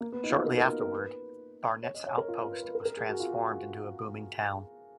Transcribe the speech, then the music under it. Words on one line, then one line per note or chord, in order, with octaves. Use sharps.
Shortly afterward, Barnette's outpost was transformed into a booming town.
A#3
B3
D#4
F4
F#4
A#4
A#4
A#4
B4
C#5
D#5
C#5
A#4
F4
F4
B4
B4
A#4
A#4
G#4
F#4
F4
F#4